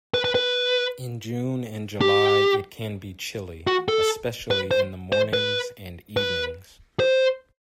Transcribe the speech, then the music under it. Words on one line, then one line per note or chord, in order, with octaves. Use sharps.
In June and July it can be chilly, especially in the mornings and evenings.
B4
B4
B4
G4
F#4
A4
B4
C5
C5
B4
B4
C5